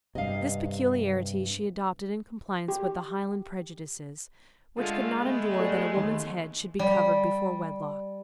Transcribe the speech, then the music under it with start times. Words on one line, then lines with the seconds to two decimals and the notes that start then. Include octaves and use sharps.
This peculiarity she adopted in compliance with the Highland prejudices, which could not endure that a woman's head should be covered before wedlock.
0.15 G2 C3 D#5 F5
2.68 G4
4.78 D3 G#3 A3 F4
5.19 G#3 A3 B3
5.59 G4 A4 D5
5.94 D#2 C6
6.79 G3